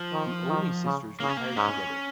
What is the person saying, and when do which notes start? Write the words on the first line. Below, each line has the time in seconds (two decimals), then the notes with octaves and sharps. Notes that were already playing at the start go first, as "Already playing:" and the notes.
The Olney sisters retired together.
Already playing: F3
0.12 D#3
0.49 D#3
0.85 C#3
1.20 C#3 A#3
1.29 C#4
1.37 A#3
1.57 G#2 C#4